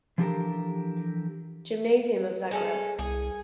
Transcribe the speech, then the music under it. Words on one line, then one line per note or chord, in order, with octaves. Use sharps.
Gymnasium of Zagreb.
E3 F3 D4 G4 A4 A#4
G#3 C#4 A4
C2 G#4